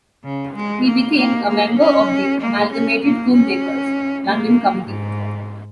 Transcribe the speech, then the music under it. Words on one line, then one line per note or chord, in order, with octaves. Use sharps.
He became a member of the Amalgamated Toolmakers' London committee.
C#3
G#3
A#3
A#3
A#3
C#4
A#3
C#4
A#3
C#4
A#3
G#2